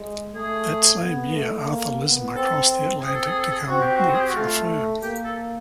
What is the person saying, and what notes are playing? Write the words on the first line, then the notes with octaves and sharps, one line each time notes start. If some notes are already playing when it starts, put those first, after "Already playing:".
That same year Arthur Lismer crossed the Atlantic to come work for the firm.
Already playing: G#3
A3 G#4
B3
A3
A#3
B3
C4 A4
C4 G#4
A4
G#4
A4
G#4
C4 F#4
G4
F#4
G#4
G4
F#4
A3 F4
A#3 G4
A4